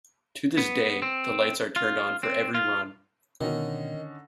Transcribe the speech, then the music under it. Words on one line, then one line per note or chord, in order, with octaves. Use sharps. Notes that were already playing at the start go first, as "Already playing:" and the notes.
To this day, the lights are turned on for every run.
B3
C4
F4
C4
F4
B2 D3 D#3 C#4 D#4